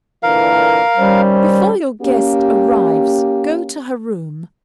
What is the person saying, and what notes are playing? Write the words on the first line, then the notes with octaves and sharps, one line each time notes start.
Before your guest arrives, go to her room.
A#2 D3 E3 A#4 F5
D#3 G3 C#4 C5
A#3 C#4 G4